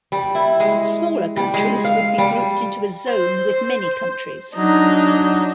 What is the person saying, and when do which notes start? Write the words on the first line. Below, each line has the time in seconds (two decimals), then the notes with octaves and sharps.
Smaller countries would be grouped into a zone with many countries.
0.12 G3
0.35 E4
0.60 G#3
1.37 G3
1.54 G#3
1.84 F5
2.18 G3
3.06 C5
4.56 F#3 D4 D#4